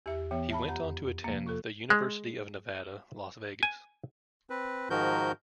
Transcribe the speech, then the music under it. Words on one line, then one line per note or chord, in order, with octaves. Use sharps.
He went on to attend the University of Nevada, Las Vegas.
E2 G4 E5
E3 B3 E5
E5 A5 B5
F2 G4 F#5 A#5
C3 F3 A#3
F4 A4
G#3
G#5
C4 B4
G#2 D#3 F3 F#4 A#4 G6